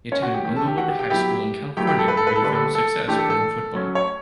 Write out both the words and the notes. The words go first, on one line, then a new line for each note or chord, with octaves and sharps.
He attended Inglewood High School in California where he found success playing football.
C#4 C#5
F#4 F#5
G4 G5
E3 A3 C#4 G4 G5
A4 A5
G4 G5
F#4 F#5
G4 G5
G4 G5
F#3 B3 E4 G4 G5
F#3 A3 E4 G4 G5
G4 G5
A4
B4
A4
B4
A4
D3 G3 D4 B4
A4
A4
E3 A3 D4 G4
A4
A4
F#3 A3 C#4
C#5